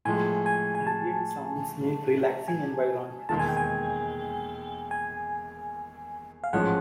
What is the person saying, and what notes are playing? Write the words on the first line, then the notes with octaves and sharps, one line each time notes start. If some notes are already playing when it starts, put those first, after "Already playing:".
Ambient sounds make relaxing environments.
A2 F3 G#3 G#5
G#5
G#5
A5
G#5
E1 D#2 D#3 G#3 A5
G#5
G5
G#5
G#5
F5
A1 G#2 F3 G#3 C#4 F#5